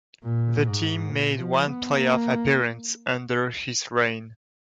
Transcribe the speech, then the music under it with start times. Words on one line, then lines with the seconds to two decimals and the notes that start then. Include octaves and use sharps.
The team made one playoff appearance under his reign.
0.24 A#2
0.67 G#2
1.10 A#2
1.38 F3
1.67 B3
1.96 A#3